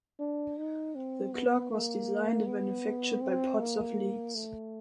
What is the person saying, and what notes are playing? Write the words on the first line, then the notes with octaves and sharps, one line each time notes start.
The clock was designed and manufactured by Potts of Leeds.
D4
D#4
C4
B3
A#3
B3
C4
A#3
A3